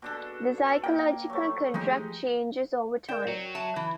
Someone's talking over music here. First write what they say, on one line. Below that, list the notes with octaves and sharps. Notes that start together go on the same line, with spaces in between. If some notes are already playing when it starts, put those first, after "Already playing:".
The psychological contract changes over time.
B2 D4 A4
A4
A#3 G5
F#3 A3
F3 G#3 A3 D#4 G4
A#4 D5 G5 E7
F#3 C#7
E5 A5
E3